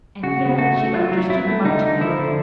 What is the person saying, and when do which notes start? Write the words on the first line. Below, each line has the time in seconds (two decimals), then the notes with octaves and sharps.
And yet she understood much of it.
0.23 C#3 F#4
0.40 C#3
0.58 A3 F#4
0.76 A3
0.93 F#3 F4
1.12 F#3
1.29 F#3 E4
1.47 A3
1.64 D3 D#4
1.83 D3
2.01 F3 E4
2.19 D3